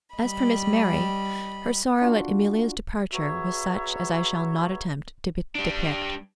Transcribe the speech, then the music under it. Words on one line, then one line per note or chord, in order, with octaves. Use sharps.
As for Miss Mary, her sorrow at Amelia's departure was such as I shall not attempt to depict.
G3 D#5 B5
D4 F4 F#4
B3 F#4 G#4 C#5 E5 A#5
G3 D4